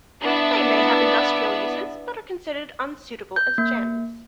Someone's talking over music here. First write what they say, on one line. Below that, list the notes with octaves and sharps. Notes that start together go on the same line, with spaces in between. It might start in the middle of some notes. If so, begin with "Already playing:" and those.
They may have industrial uses but are considered unsuitable as gems.
B3 D4 E4 D5 E5
G6
A#3